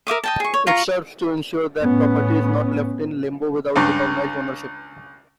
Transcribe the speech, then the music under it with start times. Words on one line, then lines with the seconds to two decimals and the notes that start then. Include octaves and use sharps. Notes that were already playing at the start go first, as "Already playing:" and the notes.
It serves to ensure that property is not left in "limbo" without recognized ownership.
0.07 A#4 E5 D6 D#6
0.24 D#5 G5 A5
0.40 G#4 C#6
0.54 C#5
0.67 F4 A#5 C#6
1.80 A2 B3 C#4
3.76 C#2 G2